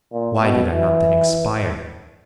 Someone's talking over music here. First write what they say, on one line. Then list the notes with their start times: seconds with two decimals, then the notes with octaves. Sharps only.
Why did I not then expire!
0.12 A#2
0.42 B2
0.71 E3